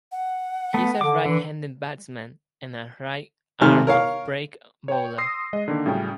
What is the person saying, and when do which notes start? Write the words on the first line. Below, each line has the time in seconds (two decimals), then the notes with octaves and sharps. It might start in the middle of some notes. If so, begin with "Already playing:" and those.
He is a right-handed batsman and a right-arm off-break bowler.
0.12 F#5
0.74 A3 B3
1.01 D3 D6
1.26 D3 E3
3.61 G#1 C3 D#3 A3 F6
3.87 A#4 C#5 F5
4.88 C#5 G5
5.18 C6 D#6 E6 A#6 C7
5.53 G#3 D#5
5.68 D3 D#3 A#3
5.86 A2 C#3 F#3 G3 C#4 G5